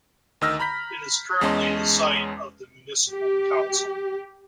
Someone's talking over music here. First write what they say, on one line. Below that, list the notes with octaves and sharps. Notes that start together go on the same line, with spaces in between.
It is currently the site of the municipal council.
D2 D#3 D#5 E6 F6 A#6
A#5 B5 G6 B6
E2 G#3 C#4 D#5 A5 C6
G4